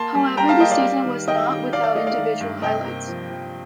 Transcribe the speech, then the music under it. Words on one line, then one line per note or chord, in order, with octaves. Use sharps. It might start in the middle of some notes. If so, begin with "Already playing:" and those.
However, the season was not without individual highlights.
Already playing: A#3 A5 C6
G3
G3 G5 A#5
F5 A5
A#3 D#5 G5
D5 F5
G3
D#3
D#3 D#5 G5
D#3
D#3 D5 F5
D5
A3 D#5
D5 F5
D#3
G2
C3 D#5 G5
A#3
F3
F3